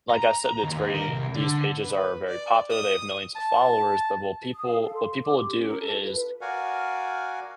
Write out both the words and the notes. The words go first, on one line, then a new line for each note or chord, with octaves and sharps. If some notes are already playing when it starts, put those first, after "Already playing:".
like I said, it's very these pages are very popular, they have millions of followers, but what will people what people will do is
A#5
D#2
A#4
C2
D3
B4
D5
D#6
A5
D#6
F5
A4
C6
D6
G4
C#4
A#4
A4
F4
B4
F#4 A#4 D5 F5 F#5 G#5